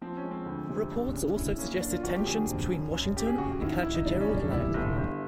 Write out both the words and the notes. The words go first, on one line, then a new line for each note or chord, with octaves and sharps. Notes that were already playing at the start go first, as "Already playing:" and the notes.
Reports also suggested tensions between Washington and catcher Gerald Laird.
F3 C4
C#4
G#3
C4
D2
C3
D4
C#3
C#3 E4
A#3 C#4
F#3 D4
F4
F2 F#4
G4
D3 G#4
F2
F#2
F#2
F#2 G4
G#4
C#3 F#4
D#3 E4
D#3 E4
D#4
G3 D4
C#4
G3
D4
G3 E4
G1
G1